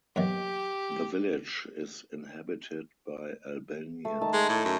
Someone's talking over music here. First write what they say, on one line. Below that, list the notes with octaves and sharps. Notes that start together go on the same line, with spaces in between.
The village is inhabited by Albanians.
F#2 B2 D#3 G4
A3
D#3 A5
G#3
A2
F#2